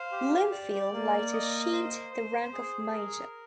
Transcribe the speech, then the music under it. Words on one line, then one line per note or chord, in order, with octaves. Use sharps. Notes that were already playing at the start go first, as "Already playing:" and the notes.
Bloomfield later achieved the rank of major.
Already playing: C5 F5
G4
D5
A#3
D#5
C5
C5
G#4
A#4